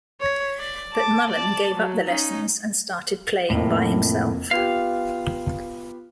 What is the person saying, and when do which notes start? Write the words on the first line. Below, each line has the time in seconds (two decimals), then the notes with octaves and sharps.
But Mullen gave up the lessons and started playing by himself.
0.21 C#5
0.59 D5
0.93 A5 D6
1.30 D5 A5
1.75 F#3
2.07 C#4 D#4
3.50 F1 F2 A2 A#3
4.51 B3 F4 G4 F5